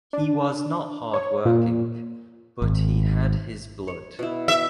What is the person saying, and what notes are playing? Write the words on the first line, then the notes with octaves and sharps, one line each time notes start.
He was not hardworking, but he had his blood.
D4
C#5
A#2
G#1
C#5
B2 E4
E5